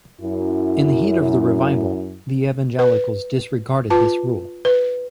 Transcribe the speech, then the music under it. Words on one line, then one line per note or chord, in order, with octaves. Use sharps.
In the heat of the revival, the evangelicals disregarded this rule.
F#2 E4
B4
F4 B4 A5
B4